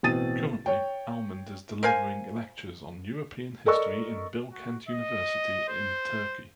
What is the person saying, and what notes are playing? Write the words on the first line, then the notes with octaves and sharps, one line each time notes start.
Currently Almond is delivering lectures on European History in Bilkent University in Turkey.
A1 B2 C4 D#6 A6 D#7
C#5 G5
A#4 C5 F5 G#5
A4 A#4 D5 D#5 C#6 E6
F#4
D#5
C5